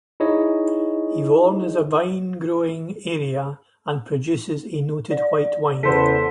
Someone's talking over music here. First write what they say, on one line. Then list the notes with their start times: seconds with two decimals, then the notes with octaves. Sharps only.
Yvorne is a vine-growing area and produces a noted white wine.
0.20 D#4 E4 G#4 C#5 D#5
5.11 D5
5.83 E2 C#3 B3 A4 C5 B6